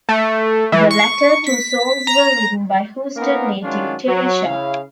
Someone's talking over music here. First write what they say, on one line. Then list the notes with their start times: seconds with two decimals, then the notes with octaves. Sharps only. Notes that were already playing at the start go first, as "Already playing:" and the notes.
The latter two songs were written by Houston native Terri Sharp.
0.09 A3
0.72 E3
0.91 C#6
1.47 B6
2.07 A#5
3.16 A#3 B3 C#4 D#4 A#4
3.63 D#3 F#3 G#3 C#4 D4 F4
4.07 F#3
4.45 C#3 E4 F5